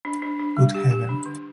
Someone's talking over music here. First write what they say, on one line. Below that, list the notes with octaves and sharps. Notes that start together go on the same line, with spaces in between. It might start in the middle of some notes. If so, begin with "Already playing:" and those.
Good heaven!
D4
D4
D4
G3
G4
G4
D4
D3